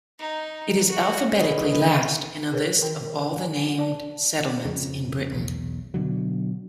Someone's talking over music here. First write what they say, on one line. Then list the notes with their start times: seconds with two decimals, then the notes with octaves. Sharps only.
It is alphabetically last in a list of all the named settlements in Britain.
0.19 D#4
0.89 F#4
1.40 G#2 C#3 E3 F#3 B4 D#5
2.52 G#4 A#4 B4 C#5
2.82 D#3 A#4 G5
3.40 G#5
3.78 D5 A5
4.65 F2 C#3
5.32 B1 E2
5.94 B2 D3 F#3